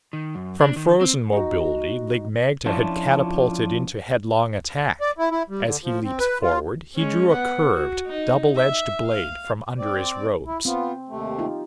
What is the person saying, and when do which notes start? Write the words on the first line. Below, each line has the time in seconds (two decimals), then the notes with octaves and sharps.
From frozen mobility Lig-magte had catapulted into headlong attack. As he leaped forward he drew a curved, double-edged blade from under his robes.
0.13 D#3
0.35 F#2
0.60 D4
0.76 D#3
1.01 C4
1.32 D#4 F#4
2.66 F3 C#4 D4 E4 F4
5.01 D5
5.18 E4
5.31 E4
5.50 G3
5.65 D3
5.84 F3
6.04 C4
6.20 B4
6.42 F4
6.96 G#3 C#4
7.32 B3 F#5
7.73 F#4
8.07 D#4
8.56 E5
9.06 F5
9.78 C4 D5
10.46 E4
10.65 B3 C4 F4
11.09 D#2 C3 A3
11.38 D#4 F4 G4